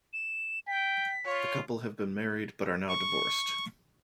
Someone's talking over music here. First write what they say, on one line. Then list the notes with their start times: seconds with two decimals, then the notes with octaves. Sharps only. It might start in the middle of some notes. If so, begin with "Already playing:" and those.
The couple have been married but are now divorced.
0.13 E7
0.67 G5 B6
1.25 F4 C#5
2.89 C#6